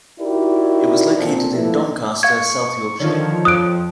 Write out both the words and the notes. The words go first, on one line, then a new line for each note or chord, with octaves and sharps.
It was located in Doncaster, South Yorkshire.
D#4 E4 F#4 G4 A#4 D5
A#2 C4 A4
C3 F3 A#3 E4 A4 B4
F5 C#6 G#6
D3 D#3 F3 C#5
F2 F3 D#6 F#6 D7